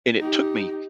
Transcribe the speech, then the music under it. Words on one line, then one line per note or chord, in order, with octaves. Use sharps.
And it took me
D#4 G4